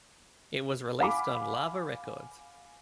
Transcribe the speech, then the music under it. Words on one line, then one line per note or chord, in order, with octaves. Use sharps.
It was released on Lava Records.
F5 F#5 G#5 B5 D6